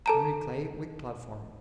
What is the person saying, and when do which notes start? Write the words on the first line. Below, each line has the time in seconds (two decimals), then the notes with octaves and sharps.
Henry Clay, Whig platform.
0.06 A4 A5 A#5